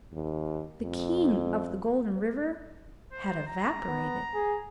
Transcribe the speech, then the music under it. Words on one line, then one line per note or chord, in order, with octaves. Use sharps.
The King of the Golden River had evaporated.
D#2
F2
C5
A#5
B3
G#4